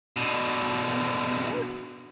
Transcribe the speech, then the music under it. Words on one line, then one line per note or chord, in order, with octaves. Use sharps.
"And the steamboat?"
B2 D3